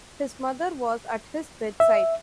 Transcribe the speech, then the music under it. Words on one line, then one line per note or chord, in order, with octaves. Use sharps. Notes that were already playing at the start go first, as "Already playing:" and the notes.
His mother was at his bedside.
E5